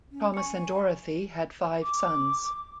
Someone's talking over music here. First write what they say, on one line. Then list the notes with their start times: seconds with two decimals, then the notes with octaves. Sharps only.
Thomas and Dorothy had five sons.
0.12 C#4
0.34 G#5 C#6 C#7
1.82 D6